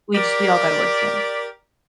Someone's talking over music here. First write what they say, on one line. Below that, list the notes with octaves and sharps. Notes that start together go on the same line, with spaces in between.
We just we all gotta work together.
G4 A#4 D5